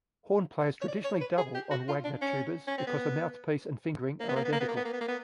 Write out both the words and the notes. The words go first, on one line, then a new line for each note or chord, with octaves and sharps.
Horn players traditionally double on Wagner tubas because the mouthpiece and fingering are identical.
C#5
D5
C#5
B4
G#4
G4
F#4
F4
D4
C#4
C#4
C4
B3
A#3
B3
A#3
B3
A#3
B3
A#3
B3
A#3
B3
A#3
B3